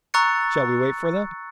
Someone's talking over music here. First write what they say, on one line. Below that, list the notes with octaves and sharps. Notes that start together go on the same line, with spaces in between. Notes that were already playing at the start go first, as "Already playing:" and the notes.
"Shall we wait for them?"
A#5 C#6 E6 F#6 A6 C#7